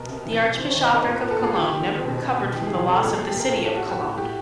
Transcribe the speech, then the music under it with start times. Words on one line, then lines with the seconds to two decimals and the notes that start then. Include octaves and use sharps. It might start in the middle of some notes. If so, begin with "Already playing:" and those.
The Archbishopric of Cologne never recovered from the loss of the city of Cologne.
Already playing: B2 A#4
0.09 C3
0.25 E3
0.42 C3
0.57 D#3 C5
0.71 D#3 C#5
0.83 D#5
0.91 C3 A#4
1.06 A#2 B4
1.20 A#2 A#4
1.31 A4
1.39 A#2 G#4
1.55 D#3 G4
1.73 D#3
1.89 D#3
2.04 B2
2.22 B2
2.38 B2
2.54 E3 G4
2.67 E3 G#4
2.86 C3
2.91 A4
3.03 A#2 A4
3.16 A#2 G#4
3.28 G4
3.36 A#2 A#4
3.52 A2 A4
3.64 A2 A4
3.77 F#4
3.85 A2 G4
4.02 A2 F#4
4.17 A2 G4